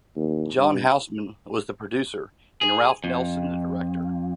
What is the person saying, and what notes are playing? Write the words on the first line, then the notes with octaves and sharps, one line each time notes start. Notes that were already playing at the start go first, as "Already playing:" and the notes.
John Houseman was the producer and Ralph Nelson the director.
D#2
G2
G#4
F2